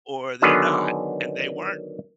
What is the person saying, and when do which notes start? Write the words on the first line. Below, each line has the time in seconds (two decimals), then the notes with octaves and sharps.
or they're not and they weren't.
0.42 D3 D#3 F#3 B3 G#4 B4